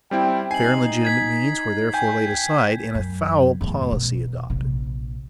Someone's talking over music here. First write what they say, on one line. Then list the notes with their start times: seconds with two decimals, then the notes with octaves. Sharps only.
Fair and legitimate means were therefore laid aside, and a foul policy adopted.
0.11 G3 C4 E4 G5
0.51 D#4 G#5 C7 F#7
1.05 G#6 B6
1.94 G5 G#5 G6
2.95 F#2
3.61 E2 A2
3.92 B2
4.50 A#1 C3